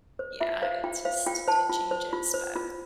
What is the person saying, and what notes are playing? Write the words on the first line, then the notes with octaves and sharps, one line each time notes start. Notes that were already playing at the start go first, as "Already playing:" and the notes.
yeah, it just it changes, but
C5
F4 E5
C5 F5
F4 G5
C5 F5
F4 G5
C5 A5
F4
C5
F4
C5
F4